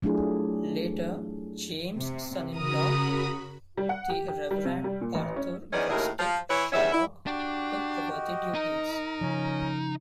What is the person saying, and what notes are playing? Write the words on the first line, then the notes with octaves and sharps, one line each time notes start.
Later James' son-in-law the Reverend Arthur Gostick Shorrock took over the duties.
F#3 A3 D4 E4 F4 G#4
C3
C#3 F#4 A#4 B5 D#6
G3
F#5
G4
G4
G3
C3
G3
A#2
A1
C#4
E2 D#3 C#4 B4 D5 D#5
D#2 A2 C#3 E4 A#4 D#5
F3 F4
E3 E4 B4 C#5
E2 G3 C#4 E5
E4
D4 F#4 G4
D#5
D#4 A#4
C#3 F3 C#4